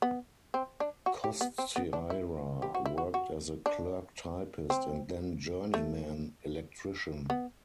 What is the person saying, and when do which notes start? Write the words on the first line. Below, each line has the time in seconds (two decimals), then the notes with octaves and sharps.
Kostyra worked as a clerk-typist and then journeyman electrician.
0.02 B3
0.54 C4
0.80 D4
1.06 F#4
1.24 G4
1.41 B3
1.58 C4
1.76 B3
1.93 D4
2.10 E4
2.62 G4
2.75 F#4
2.86 E4
2.98 F#4
3.14 F#4
3.66 D4
4.70 C4
5.74 A3
7.30 B3